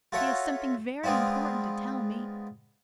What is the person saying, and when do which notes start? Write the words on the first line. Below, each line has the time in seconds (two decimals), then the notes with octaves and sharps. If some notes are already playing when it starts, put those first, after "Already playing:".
"She has something very important to tell me."
0.12 F4 F#4 A4 C#5 E5 F#5
1.04 G#3 B3 C4 D4 F4